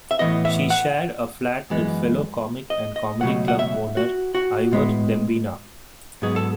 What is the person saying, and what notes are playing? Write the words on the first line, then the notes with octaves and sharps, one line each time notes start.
She shared a flat with fellow comic and comedy club owner Ivor Dembina.
E5
A2 E3 G#3 B3 D#5
E5
F#5
F#2 E3 G#3 B3
D#5
D#5
C#2 B2 F#3 A3 F#5
F#5
E5
F#4
F#4
A2 G#3 B3
G#2 F#3 B3 G#4
A4